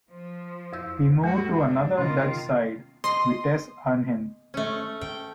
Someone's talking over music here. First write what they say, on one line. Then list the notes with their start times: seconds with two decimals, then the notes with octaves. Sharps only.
He moved to another Dutch side, Vitesse Arnhem.
0.10 F3
0.73 F2 E6 G6
1.24 A2 G#3 F#4 A4
1.54 G#2 D4
1.97 C3 D#3 C#4 F4
3.04 D#5 C6
4.54 A3 C#4
5.01 G5